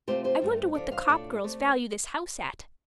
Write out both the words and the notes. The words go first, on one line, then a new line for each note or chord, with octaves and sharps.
I wonder what the Copp girls value this house at.
C3 A3 C4 F4 G4 C5
G4 C5
G2 F3 A3 F4
D3 F3 D4 F4 A4 D5
C5 F5
A2 A3 D4 F4 A4 D5
C3 A3